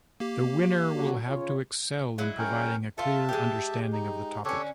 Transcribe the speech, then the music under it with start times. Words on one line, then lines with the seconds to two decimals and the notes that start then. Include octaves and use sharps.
The winner will have to excel in providing a clear understanding of the topic.
0.20 A#3 G4
0.93 D3 F#3
1.27 C#3 F4 C#5
2.18 F#3 G#3 E4
2.38 C#4 A#4 G5
2.98 A3 F4 E5 A5
3.29 G#3 G4
3.93 D#4
4.45 D3 C#4 G4 A4 C#5